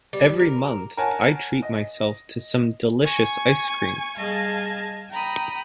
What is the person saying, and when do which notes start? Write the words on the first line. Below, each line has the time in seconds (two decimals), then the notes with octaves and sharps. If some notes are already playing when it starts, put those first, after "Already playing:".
Every month, I treat myself to some delicious ice cream.
0.13 G3
0.39 A#4
0.97 A#4 C#5 F#5 G#5 A5
1.63 D#5
3.04 G#5 C#6
4.16 G3 G#4 D#5 F5 A5 G#6
5.11 G5 A#5 B5 D#6